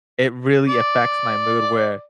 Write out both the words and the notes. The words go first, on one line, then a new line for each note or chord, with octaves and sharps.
it really affects my mood where
D5